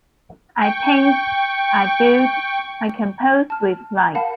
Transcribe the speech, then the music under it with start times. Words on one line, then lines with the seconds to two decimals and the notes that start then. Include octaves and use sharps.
I paint, I build, I compose with light.
0.60 G5 C#6
3.50 A5 F6
4.15 A#4 F5 F#5 A5 B5